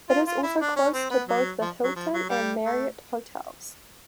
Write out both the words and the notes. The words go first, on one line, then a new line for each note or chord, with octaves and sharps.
It is also close to both the Hilton and Marriott hotels.
F4
F4
E4
D4
C#4
C4
B3
F#3
F3
F#3
F3
F#3
G3
A3